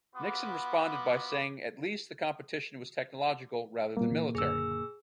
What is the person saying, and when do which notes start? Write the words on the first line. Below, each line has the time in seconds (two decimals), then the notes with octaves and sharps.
Nixon responded by saying at least the competition was technological, rather than military.
0.16 B3 F4 F#4 B5 D6
3.97 A#2 G3 A#3
4.11 E3
4.35 F#1 D3 G#4 E6